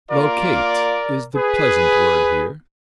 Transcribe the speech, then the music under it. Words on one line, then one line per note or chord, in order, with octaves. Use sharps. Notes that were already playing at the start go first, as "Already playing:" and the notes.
"Locate" is the pleasant word here.
A#3 F4 A#4 D5
G#4 B4